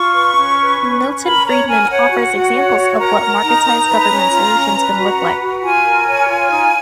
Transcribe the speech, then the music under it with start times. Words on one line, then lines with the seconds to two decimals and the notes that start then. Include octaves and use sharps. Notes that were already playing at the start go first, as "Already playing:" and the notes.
Milton Friedman offers examples of what marketized government solutions can look like.
Already playing: F4 C#6
0.14 B4
0.35 C#4
0.58 B4
0.80 C#4
1.02 C#4
1.23 A#4 B5
1.45 C#5 A#5
1.67 A#4 G#5
1.89 C#5 F#5
2.11 F#4
2.33 F#4
2.55 C#5
2.77 F#4
2.98 A#4 A#5
3.21 A#4
3.43 D#4
3.64 D#4
3.86 B4
4.08 C#4
4.30 F4
4.53 C#4
4.74 B4
4.96 F#4
5.17 B4
5.40 F#4
5.62 F4 G#5
5.84 A#4
6.06 C#5
6.27 F4
6.49 D#4